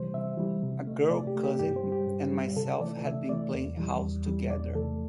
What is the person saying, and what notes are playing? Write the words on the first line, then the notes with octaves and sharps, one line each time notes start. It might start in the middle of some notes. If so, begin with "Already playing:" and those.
A girl cousin and myself had been playing house together.
Already playing: C3 E3 G3 C5
C3 E5
E3 G3
C3
A3
C3 D5
G4
A3
G4
G2 G4
C5
G3
G4
G2
G3
C3 A4
E3 A3 D5
C3 E5
E3 A3 D5
E2
E3 G3
E2
E3 G3
E2 D5
C3 E3 A3 A4